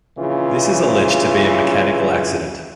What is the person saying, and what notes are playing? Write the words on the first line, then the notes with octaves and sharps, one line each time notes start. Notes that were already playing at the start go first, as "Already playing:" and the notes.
This is alleged to be a mechanical accident.
A#1 C#3 E3 F4